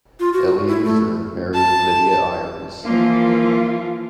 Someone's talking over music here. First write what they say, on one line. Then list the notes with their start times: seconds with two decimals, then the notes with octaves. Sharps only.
Eleazer married Lydia Irons.
0.20 F4
0.33 F#4
0.67 E4
0.85 A3
1.54 A5
2.85 E3 F3 A#3 F4